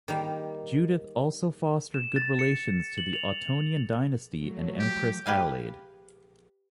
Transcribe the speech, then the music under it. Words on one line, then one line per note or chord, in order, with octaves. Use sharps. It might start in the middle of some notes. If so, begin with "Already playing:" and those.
Judith also fostered good relations to the Ottonian dynasty and Empress Adelaide.
D#3 G3 A#3
E7
A6
C#7
F#7
F7
F3 F#3 A3
G4
G4 B4 F5 G#5